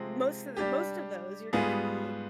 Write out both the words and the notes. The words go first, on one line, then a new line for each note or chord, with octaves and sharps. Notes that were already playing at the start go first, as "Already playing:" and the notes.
most of the most of those, you're gonna need
Already playing: C3 F3 G#3 C4
G3 D4 G4
G#2 G3 B3 F4 G#4